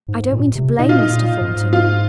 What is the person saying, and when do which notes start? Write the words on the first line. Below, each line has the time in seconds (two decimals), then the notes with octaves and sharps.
I don't mean to blame Mr. Thornton.
0.08 G#2
0.32 A#2
0.55 C3
0.79 A#2 D#4
0.89 F4
0.99 D#4
1.10 A#2
1.41 G#2
1.73 F4